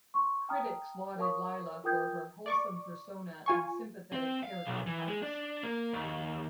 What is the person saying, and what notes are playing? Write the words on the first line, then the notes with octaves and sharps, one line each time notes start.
Critics lauded Lila for her wholesome persona and sympathetic character parts.
C6 C#6
G5 A5 A#5 D#6 F6
A#4 C#5 F5 A5 C#6 D#6
F4 A#4 G5 D#6 G6 G#6
D5 C#6 D6
F4 G#5 C#6
C4
F5
B1
E3
G#3
D4
A#3
D#2